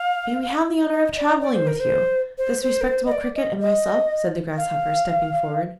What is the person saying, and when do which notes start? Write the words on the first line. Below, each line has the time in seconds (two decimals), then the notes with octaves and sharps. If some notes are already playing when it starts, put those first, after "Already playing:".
'May we have the honour of travelling with you--this respectable Cricket and myself?' said the Grasshopper, stepping forward.
Already playing: F5
0.92 D#5
1.17 D5
1.40 D5
1.53 C5
1.67 A#4
1.79 C5
2.37 C5
2.62 C5
2.81 A#4
2.87 C5
3.05 D#5
3.11 D5
3.35 D#5
3.60 D#5
4.57 F5